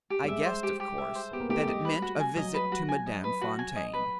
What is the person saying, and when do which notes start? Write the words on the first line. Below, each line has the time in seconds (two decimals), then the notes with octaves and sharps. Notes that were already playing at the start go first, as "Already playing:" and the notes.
I guessed of course that it meant a visit to Madame Fontaine.
0.10 G4
0.24 G3
0.28 G#3 E5
0.46 C5
0.63 G4
0.80 G4
0.98 E5
1.15 C5
1.31 B3 G4
1.40 A#3
1.49 A3 G4
1.58 G#3
1.67 G3 D#5
1.85 B4
2.02 F#4
2.20 G#5
2.37 F#3 D#5
2.54 B4
2.72 F#4
2.89 G#5
3.06 D#5
3.24 B4
3.41 F#4
3.59 G#5
3.76 D#5
3.93 B4